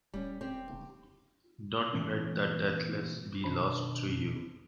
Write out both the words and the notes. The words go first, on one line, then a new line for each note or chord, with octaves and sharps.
Don't let the deathless be lost to you.
D#1 G3 C#4
C4 G4
A#2 E3 A3 B3 C#4
B2 D#3 D4 C5 B5